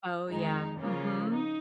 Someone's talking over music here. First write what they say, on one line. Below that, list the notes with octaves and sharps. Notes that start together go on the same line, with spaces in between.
Oh, yeah, mhm.
F2 D#3 G#3 D#4
C#3 F3 A#3 C#4 F4
D#4